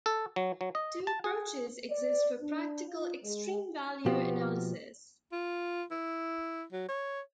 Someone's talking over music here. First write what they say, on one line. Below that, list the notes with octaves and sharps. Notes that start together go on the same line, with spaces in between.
Two approaches exist for practical extreme value analysis.
A4
F#3
F#3
D#5
A5
G#4
D5
D4
F4
G#3
B2 F3 B3 F#4 G4
F4
E4
F#3
C#5